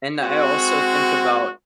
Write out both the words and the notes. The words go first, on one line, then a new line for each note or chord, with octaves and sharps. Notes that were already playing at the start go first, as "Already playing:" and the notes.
and I also think about
G#3 C4 F#4